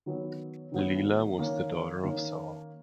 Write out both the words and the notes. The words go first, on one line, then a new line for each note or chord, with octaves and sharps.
Leela was the daughter of Sole.
D#3 F#3 B3
D#3 F#3 B3
D#3 A#3 C#4
D#3 A#3 C#4